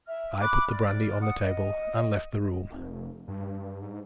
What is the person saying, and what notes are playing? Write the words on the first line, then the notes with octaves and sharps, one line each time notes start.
I put the brandy on the table and left the room.
E5 F6
B5 D6 F#6
D5 F6
F#5 D#6
D#5
F1
G2
G#2